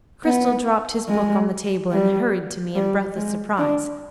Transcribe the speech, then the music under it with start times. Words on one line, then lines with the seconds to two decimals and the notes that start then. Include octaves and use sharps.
Cristel dropped his book on the table, and hurried to me in breathless surprise.
0.24 B3
1.08 G#3
1.92 G3
2.75 G3
3.16 G#3
3.58 D4